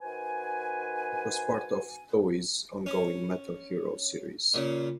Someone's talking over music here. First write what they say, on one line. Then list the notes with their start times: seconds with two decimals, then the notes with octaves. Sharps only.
It was part of Toei's ongoing Metal Hero Series.
0.02 D#3 F#4 B4 C5 G#5
2.86 C#4
4.54 A#2 C#3